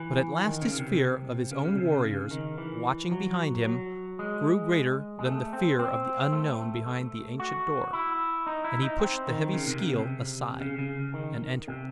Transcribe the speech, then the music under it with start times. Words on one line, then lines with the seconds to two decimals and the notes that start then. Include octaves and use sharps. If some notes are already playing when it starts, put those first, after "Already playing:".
But at last his fear of his own warriors, watching behind him, grew greater than the fear of the unknown behind the ancient door and he pushed the heavy skeel aside and entered.
Already playing: E3
0.44 D#3
0.62 C#3
0.79 C3
1.51 C#3
1.65 C#3
1.78 C3
1.91 C#3
2.04 C#3
2.31 D#3
2.58 E3
3.12 F#3
3.65 F#3
4.19 G#3
5.19 G#3
5.25 A3
5.53 C4
5.79 C4
6.33 A3
6.86 A3
7.40 F#4
7.93 E4
8.47 D#4
8.64 E4
8.83 D#4
9.00 C4
9.27 D#3
9.53 C#3
9.67 C3
9.81 C#3
9.94 C3
10.60 C#3
10.79 C#3
11.14 D#3
11.68 C3